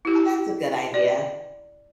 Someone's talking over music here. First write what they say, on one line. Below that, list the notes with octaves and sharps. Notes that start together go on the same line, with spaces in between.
Oh, that's a good idea.
E4 G4
D5